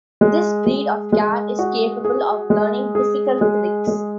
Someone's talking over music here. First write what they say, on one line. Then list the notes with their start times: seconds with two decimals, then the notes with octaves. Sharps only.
This breed of cat is capable of learning difficult tricks.
0.21 G#3
0.66 G#3
1.12 G#3
1.59 F#4
2.04 G#4
2.50 G#3
2.95 G#4
3.41 G#3
3.87 G#3